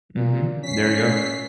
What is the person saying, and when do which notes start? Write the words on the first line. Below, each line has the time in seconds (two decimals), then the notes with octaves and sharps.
Mhm. There you go.
0.16 A#2
0.63 C#4 B6 C7